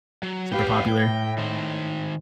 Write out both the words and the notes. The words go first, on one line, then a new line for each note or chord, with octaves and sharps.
Super popular.
F#3
B3 G4 B4 F5 G5
A2 G5
D#3 C5